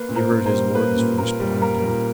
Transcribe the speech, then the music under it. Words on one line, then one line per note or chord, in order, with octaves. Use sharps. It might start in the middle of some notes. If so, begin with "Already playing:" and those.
He heard his warder's voice behind him.
Already playing: A#3 B4
A#2
A#4 C5
A#2
A#4 C5
G3
A#3 B4
A#2
A#2 A#4
G3
A#3 A#4
A#2